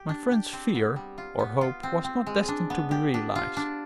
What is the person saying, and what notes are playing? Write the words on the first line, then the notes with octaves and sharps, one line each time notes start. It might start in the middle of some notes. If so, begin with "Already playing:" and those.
My friend's fear or hope was not destined to be realized.
Already playing: G4
D4
G4
C4
B3
G3
F4
B3
F4
C4
C4
G#3
D4
B3
G4
D4
F4
D4